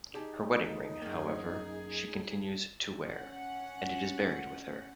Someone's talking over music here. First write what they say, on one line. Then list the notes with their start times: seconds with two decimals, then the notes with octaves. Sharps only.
Her wedding ring, however, she continues to wear, and it is buried with her.
0.14 D#4 G4 G#4 A5
0.64 A4
1.02 F#2 A#3 G#4
3.08 C#4 F#5